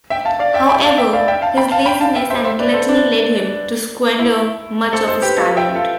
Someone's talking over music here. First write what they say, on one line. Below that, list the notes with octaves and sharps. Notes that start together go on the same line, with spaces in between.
However, his laziness and gluttony led him to squander much of his talent.
E5 G5
F5 A5
D5 F5
E5 G5
G5 B5
F5 A5
E5 G5
D5 F5
E5 G5
F5 A5
G5 B5
F5 A5
G5 B5
F5 A5
E5 G5
C5 E5
C5 E5
B4 D5
A4 C5
D4
E4
A4 C5
A4 C5
G4 B4
F4 A4
E5 G5
F4 A4